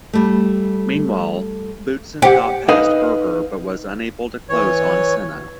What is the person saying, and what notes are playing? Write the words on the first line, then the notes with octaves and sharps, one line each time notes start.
Meanwhile, Boutsen got past Berger but was unable to close on Senna.
G3 A3
G4 C5 F#5
D#4 B4 D#5 F5
E3 C#5